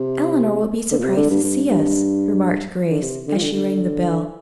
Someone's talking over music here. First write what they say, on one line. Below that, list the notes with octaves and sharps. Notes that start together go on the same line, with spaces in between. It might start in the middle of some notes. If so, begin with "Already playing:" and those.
"Eleanor will be surprised to see us," remarked Grace, as she rang the bell.
Already playing: C3
D3
A#2
C3
D3
G2
G2
G2
D3
C3
D3
F3
D3
D3